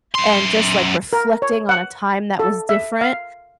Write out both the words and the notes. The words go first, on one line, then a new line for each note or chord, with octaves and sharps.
and just, like, reflecting on a time that was different,
F#2 C6
A#4
C#5
F#5
A4
E5
F5